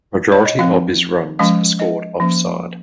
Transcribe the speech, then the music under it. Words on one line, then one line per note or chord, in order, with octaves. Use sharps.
Majority of his runs are scored off side.
C#5
D#5
F3 C4 F5
F3 G#3 C#4 F5
D#5
F3 A#3 C#4